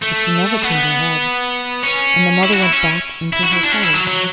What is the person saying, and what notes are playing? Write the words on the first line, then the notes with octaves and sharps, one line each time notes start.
But she never turned her head; and the mother went back into her cottage.
A3
B3
C#4
E4
F#4
E4
C#4
E4
F#4
E4
D4
C#4
E4
F#3
F#3